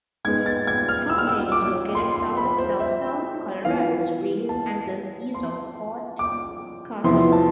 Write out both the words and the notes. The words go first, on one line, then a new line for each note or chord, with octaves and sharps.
Fountain is located south of downtown Colorado Springs and just east of Fort Carson.
G#2 G#3 B3 G#6
A6
G#6
F6
E6
F6
E6
D6
C6
C6
B5
C5
E5
E3 B3 F4 F5
A5
C6
D6
E2 C3 F3 B3 E4 C6
A5